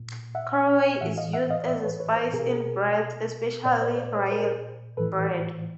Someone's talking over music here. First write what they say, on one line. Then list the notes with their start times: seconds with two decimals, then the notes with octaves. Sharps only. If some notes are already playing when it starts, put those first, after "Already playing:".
Caraway is used as a spice in breads, especially rye bread.
Already playing: A#2
0.35 E5 F#5
1.01 A2 E3 E5 F#5
1.18 D#5 F5
1.33 E5 F#5
1.50 D#5 F5
1.67 D5 E5
1.83 B4 C#5
2.00 B4 C#5
2.16 A#4 C5
2.33 B2 G#4 A#4
3.65 A#2 C5 D5
3.82 C5 D5
3.98 C5 D5
4.15 B4 C#5
4.31 A#4 C5
4.97 A2 E3 A4 B4